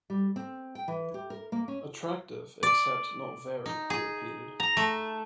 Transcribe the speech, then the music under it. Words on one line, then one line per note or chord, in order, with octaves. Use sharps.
"Attractive, except not very," he repeated.
G3
C4
G5
E3
G4
A#4
A#3
C#4
D5
D#4
G#4
A#5
A3